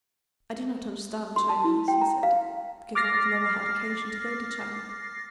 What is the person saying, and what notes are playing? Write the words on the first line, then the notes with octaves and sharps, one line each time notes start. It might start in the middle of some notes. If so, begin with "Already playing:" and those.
I do not understand Chinese," he said, "because I have never had occasion to go to China.
C6
A5
E4
G5
A#5
F5
D6 F6 A6 A#6 C7